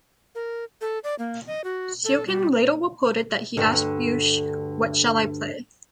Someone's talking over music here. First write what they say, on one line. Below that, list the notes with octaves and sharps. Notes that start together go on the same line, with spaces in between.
Serkin later reported that he asked Busch, What shall I play?
A#4
A4
D5
A#3
D#5
F#4
A4
G3
D2 G2 D3